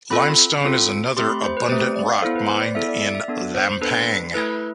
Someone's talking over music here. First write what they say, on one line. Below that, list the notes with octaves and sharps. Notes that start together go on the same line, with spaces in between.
Limestone is another abundant rock mined in Lampang.
C4 F4 A4 B5
C4 F4 A4
A3 C4 G4 C6
B5
C5
B4
A3 C4 G4 C5
D5
D5
F5
B3 E4 A4 C5
B4
C5
D5
B3 E4 A4 E5
D5
D5
E5
B3 D4 A4 D5
C5
B3 D4 A4 B4
A3 E4 A4 B4